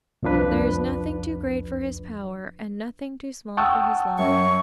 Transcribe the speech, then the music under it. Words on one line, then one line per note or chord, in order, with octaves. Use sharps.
"There is nothing too great for his power, And nothing too small for his love!"
C2 F2 F3 D4 B4
F#5 G5 A5 C#6 D#6 E6
F#2 C#5 C#6